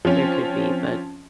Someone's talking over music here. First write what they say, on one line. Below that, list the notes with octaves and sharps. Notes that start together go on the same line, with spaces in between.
there could be, but
F3 C4 C#4